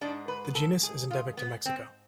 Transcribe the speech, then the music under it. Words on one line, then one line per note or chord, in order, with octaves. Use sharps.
The genus is endemic to Mexico.
G#2 G#3 D4
B4
B4
A4
G#4
F4
B3
C4